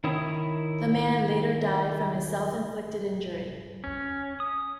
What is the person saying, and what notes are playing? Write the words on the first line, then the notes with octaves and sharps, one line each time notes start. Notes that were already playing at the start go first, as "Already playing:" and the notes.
The man later died from his self-inflicted injury.
D#3 E4 C#5 D#6
C#4
D#6